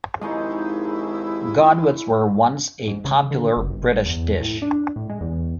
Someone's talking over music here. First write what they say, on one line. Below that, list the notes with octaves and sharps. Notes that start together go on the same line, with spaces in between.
Godwits were once a popular British dish.
G#1 D#2 F3 G#3 C#4 D#4 E4 G#4
G#2
C#3
D3
F#1
G1
E2
A2
D4
A2
G#3
E2